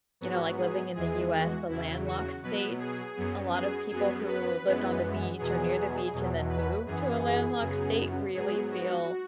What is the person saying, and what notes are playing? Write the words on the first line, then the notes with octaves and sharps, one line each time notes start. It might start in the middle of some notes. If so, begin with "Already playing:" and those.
you know, like, living in the US, the landlocked states, a lot of people who lived on the beach or near the beach and then moved to a landlocked state really feel
G#2 F#3 B3 F#4
G#4
E2 E3 G#3 G#4
F#4
E2 C#3 F#3 E4
F#4
B2 F#3 B3 B4
G#4
F#2 F#3 B3
G#4
F#2 F#3 B3 G#4
B4
F#2 E3 G#3 B3
E2 B2 F#3 B3 G#4
E2 B2 F#3
B4
F#2 E3 B3 G#4
F#2 C#3 F#3 B3
G#2 F#3 B3 G#4
F#4